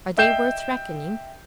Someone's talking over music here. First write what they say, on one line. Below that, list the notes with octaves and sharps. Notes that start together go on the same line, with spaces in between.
Are they worth reckoning?
D#5 E5 G5 G6 C7 E7